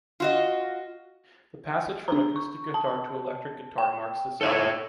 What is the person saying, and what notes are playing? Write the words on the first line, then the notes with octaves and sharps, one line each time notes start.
The passage from acoustic guitar to electric guitar marks this album.
F4 F#4 D#5
D4 A#5
C#6
A5
G5
A4 C#5 E5